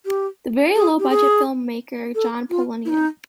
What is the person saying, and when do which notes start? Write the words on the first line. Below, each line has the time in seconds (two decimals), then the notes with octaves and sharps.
The very-low-budget film maker John Polonia.
0.06 G4
0.75 G#4
0.99 G4
1.10 G#4
2.15 A4
2.50 F4
2.85 E4
2.89 D#4